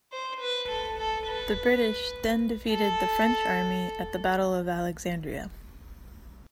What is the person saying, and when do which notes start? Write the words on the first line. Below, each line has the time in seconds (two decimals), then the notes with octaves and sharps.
The British then defeated the French army at the Battle of Alexandria.
0.12 C5
0.41 B4
0.69 A4
0.98 A4
1.26 B4
2.71 A4